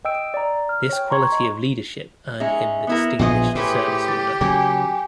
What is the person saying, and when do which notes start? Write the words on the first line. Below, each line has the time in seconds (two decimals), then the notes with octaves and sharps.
This quality of leadership earned him the Distinguished Service Order.
0.05 D#5 G5 E6 D7
0.34 D5 A#5
0.69 F6
0.89 C#5 G5
1.10 A#5 C6 C#6 G#6
1.32 D#5
2.40 G#3 C#4 D#4 E5
2.87 B3 E4 A#4
3.19 A#1 A#2 B3 G#4 C5 C#5 D#5
3.55 A2 G4 G#4 B4 C5
4.08 A6
4.41 C#3 F#3 A#3 G5 G#5